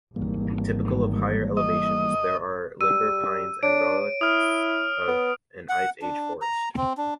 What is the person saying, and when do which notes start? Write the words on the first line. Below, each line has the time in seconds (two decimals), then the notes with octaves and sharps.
Typical of higher elevations, there are limber pines and relicts of an ice-age forest.
0.16 G#1 E3 G3 A#3
1.57 D#5
2.81 G3 E6 D#7
3.63 D4 C#5 D7
4.21 E4 D#6 F6
5.08 B3
5.69 F#5
6.02 D4
6.41 A#5
6.77 C4
6.97 D4